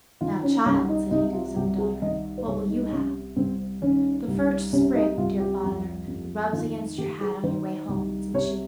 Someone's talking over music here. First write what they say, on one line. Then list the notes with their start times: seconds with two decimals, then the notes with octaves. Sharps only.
"Now, child," said he to his own daughter, "what will you have?" "The first sprig, dear father, that rubs against your hat on your way home," said she.
0.21 D#3 F4
0.43 C#4
0.66 C2 C#4
0.89 D#4
1.11 C3 D#4
1.33 F4
1.56 C2 G4
1.78 G#4
2.02 D#3 D#5
2.38 C5
2.46 C2 C#5
2.70 D#4
2.83 D#4
2.91 C3 C#4
3.36 C2 C4
3.82 D#3 C#4
4.28 C2
4.73 C3 C#4
4.95 D#4
5.17 C2 F4
5.40 G4
5.63 F2
6.07 F2
6.53 D#3 F4
6.75 F4
6.98 D#3 G4
7.21 G#4
7.44 D#3 C5
7.88 C2
8.34 C3 C#5